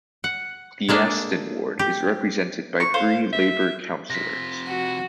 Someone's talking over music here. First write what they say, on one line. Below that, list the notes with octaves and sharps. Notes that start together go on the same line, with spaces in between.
The Aston ward is represented by three Labour councillors.
F#5
G#3 A#3 D4 A4
G4
C#6
C5 F5
E5
C3 F3 A#6 B6
F#4